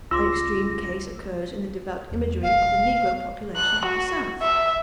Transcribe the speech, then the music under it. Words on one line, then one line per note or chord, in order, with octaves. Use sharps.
An extreme case occurs in the devout imagery of the Negro population of the South.
C#2 F4 C6 D6 E6 A#6
E2
E1 F5
F#6
F#4
E5